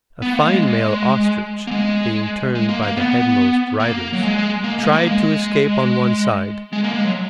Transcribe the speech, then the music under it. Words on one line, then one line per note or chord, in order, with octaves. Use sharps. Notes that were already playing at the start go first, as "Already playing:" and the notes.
A fine male ostrich being turned by the headmost riders, tried to escape on one side.
B3
A#3
G#3
A#3
G#3
G#3
A#3
A#3
B3
A#3
F#3
G#3
A#3
G#3
A#3
G#3
G#3
A#3
G#3
F#3